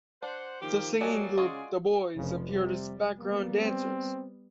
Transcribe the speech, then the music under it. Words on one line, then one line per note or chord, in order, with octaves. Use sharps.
The singing group The Boys appeared as background dancers.
D4 C5 F#5
D#3 F3 A#3 G4
F#3 G3 A#3 A4 D5 D#5 G#5
C#3 G#3 F4 F#4 G#4
F1 C#3 F3
C3 G3
G3 A#3 B3
C4